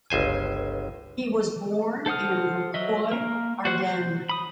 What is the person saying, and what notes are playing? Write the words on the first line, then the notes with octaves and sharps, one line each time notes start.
He was born in Rocroi, Ardennes.
G1 C#2 C5 G#5
A4 C5 F#5 D#6 F6
F#3 D#5 E5
A#3 A#4
F#4 C5 F#5
C5
B5 D#6